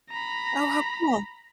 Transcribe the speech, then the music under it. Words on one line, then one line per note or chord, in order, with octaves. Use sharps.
Oh, how cool.
A#5 B5